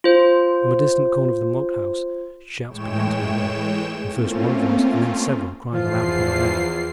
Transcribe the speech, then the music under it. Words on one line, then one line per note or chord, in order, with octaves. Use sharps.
From a distant corner of the Moat House shouts began to be heard, and first one voice, and then several, crying aloud upon a name.
F4 C5
A2 E3 G#3 C#5 G5 E7
A3 A#3 C4 C#4 F4
E2 G2 E3 F3 F4 C7